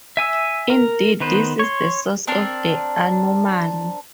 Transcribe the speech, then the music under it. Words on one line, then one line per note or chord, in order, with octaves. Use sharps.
Indeed, this is the source of the anomaly.
E5 G#5 E6
A#4
D#3 B3 B4 C5
C#5 C6
C4 D4 A#4